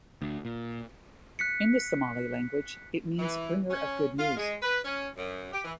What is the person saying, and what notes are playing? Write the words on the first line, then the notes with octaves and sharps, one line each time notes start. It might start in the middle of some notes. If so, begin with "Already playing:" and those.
In the Somali language, it means bringer of good news.
D2
A#2
F#6 B6 C#7
E3
C#4
F4
G#3
B4
C#4
F#2
G4
E3